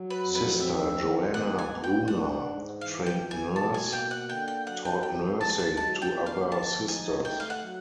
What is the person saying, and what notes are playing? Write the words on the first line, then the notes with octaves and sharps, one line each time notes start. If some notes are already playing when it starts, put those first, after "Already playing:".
Sister Joanna Bruner, trained nurse taught nursing to other Sisters.
Already playing: F#3
B4
F2
B4
C4 E5
D#3
B3 F#5
G#5
B3
G5
D4 F#5
G#2
E3 F5
G5
E3
G#5
B2 A5
G#5
A#3 G5
F#5
D3 G5
G5
F#3 F#5
G5
F3 G5
G#3 A5
G#5
A5
F#3 A5
G5
A#3
F5
F3 A5
D#4 G#5
A3 G5
F5
F#5
F#3